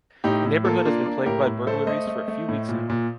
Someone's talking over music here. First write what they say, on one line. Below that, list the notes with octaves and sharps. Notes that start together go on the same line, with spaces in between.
The neighborhood has been plagued by burglaries for a few weeks now.
A2 D#4 G4
A2
A#3 F4 A4
A#3 D4 F4
A#3 D4
A2 G4 A#4
A2
A3 A4 C5
A3 C5 D#5
A3
A3
A2
A#2
A#2